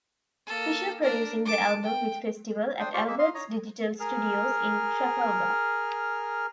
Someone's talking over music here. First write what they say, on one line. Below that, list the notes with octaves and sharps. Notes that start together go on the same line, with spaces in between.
Fisher producing the album with Festival, at Alberts Digital Studios in Trafalgar.
A#3 A4
D4 A#4
A5 D6
G5
D4 C5 G5 D#6
F4 G4 C5 D5 C#6
G#3 A#3 E5
D#5 F5 C6
C#5 D#5 A#5
G#4 A#4 F6